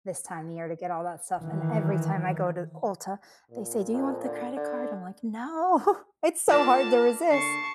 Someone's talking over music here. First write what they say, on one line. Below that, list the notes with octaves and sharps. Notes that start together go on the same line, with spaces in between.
this time of year to get all that stuff, and every time I go to Ulta, they say, "Do you want the credit card?" I'm, like, “No.” It's so hard to resist.
D#3 E3
A#2
F2
D3
D3
A#3 D4 E4 F4 A5
D3 A5 C#6 C7